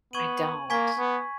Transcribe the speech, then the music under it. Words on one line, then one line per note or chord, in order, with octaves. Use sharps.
I don't.
B3 C#6 G#6 D#7 F#7
A#3 G#5 C#6 G#6 B6
B3